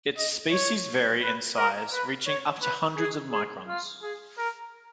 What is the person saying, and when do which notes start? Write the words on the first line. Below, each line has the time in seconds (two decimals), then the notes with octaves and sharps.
Its species vary in size reaching up to hundreds of microns.
0.17 D#5
0.52 C#5
1.23 B4
1.57 A#4
1.93 B4
2.27 C#5
2.62 B4
2.97 G#4
3.32 G#4
3.68 F4
4.02 G#4
4.38 A#4